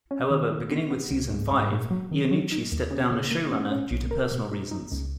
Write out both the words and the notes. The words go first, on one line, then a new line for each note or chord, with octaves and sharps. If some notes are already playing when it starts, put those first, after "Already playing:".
However, beginning with season five, Iannucci stepped down as showrunner due to "personal reasons".
C#4
D#3
E4
B3
B3
C#2
G#2
G#2
A#2
F#3
D#3
F#3
D#4
D#2
C#3
C#3
A#3
C#4
C#4
B1
A#4
B2
D#4
D#4
C#2